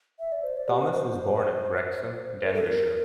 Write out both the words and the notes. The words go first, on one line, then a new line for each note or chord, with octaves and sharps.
Thomas was born in Wrexham, Denbighshire.
E5
D5
C5
D5
G4
C5
C5
A#4
A4
A#4